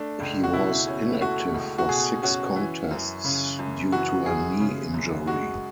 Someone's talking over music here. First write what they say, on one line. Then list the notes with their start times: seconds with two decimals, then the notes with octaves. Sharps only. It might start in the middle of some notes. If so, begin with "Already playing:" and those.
He was inactive for six contests due to a knee injury.
Already playing: A3 D4
0.20 C#2
0.43 F#4
0.53 B2 E4
0.87 C#4
1.21 A3 F#4
1.54 C#2
1.78 F#4
1.89 B2 G#4
2.22 C#4 F#4
2.56 E3
2.91 F#2
3.24 C#3
3.59 F#2
3.92 E3 F#4
4.26 F#2 G#4
4.60 C#3
4.94 F#2
5.27 G#3 F#4